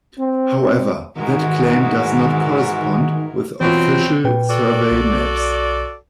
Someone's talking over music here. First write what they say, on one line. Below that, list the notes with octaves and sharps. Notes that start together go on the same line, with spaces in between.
However, that claim does not correspond with official survey maps.
C4
G#2 D#3 E3 G#3 F#4 A#4
B2 E3 F#3 C4 F4
A#2 B4 G5
F#4 A4 D5
B1